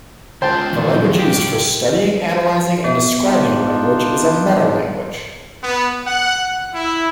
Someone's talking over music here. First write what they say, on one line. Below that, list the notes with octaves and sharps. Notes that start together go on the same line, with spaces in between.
The language used for studying, analyzing, and describing a language is a "metalanguage".
C#3 G#3 F4 C5 G5 A5
E2 D#3
G4
B3
D4 D#4 F4
B3
F#5
E4